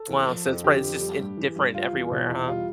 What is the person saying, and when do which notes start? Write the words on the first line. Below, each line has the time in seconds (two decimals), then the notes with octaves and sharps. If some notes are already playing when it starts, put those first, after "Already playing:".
Wow, since probably it's just different everywhere, huh?
Already playing: A4
0.09 E2
0.27 F3
0.45 F2
0.64 D3 G4
0.82 F2
1.01 G3
1.19 G2
1.37 E3
1.56 G2
1.75 G3 F4
1.93 E2
2.11 B2
2.29 E2
2.48 G3 F4